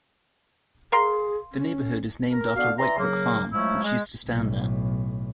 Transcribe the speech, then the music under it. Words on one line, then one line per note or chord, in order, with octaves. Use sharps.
The neighbourhood is named after Whitecrook farm, which used to stand there.
G#4 A#4 F5 C6
C#4
A#4
D3 B3 F#4 F5
E3 D5 E5 A#5 C6
C#3 F#3 A#3
F3 F#3 G#3 A3 C#4 E4
G#3
B1 A2